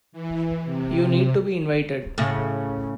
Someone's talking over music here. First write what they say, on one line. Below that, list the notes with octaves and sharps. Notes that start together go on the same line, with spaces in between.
You need to be invited.
E3
C3
A2 C#3